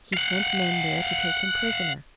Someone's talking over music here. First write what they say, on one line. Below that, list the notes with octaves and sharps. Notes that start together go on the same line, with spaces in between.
He sent men there to take him prisoner.
F5 F#5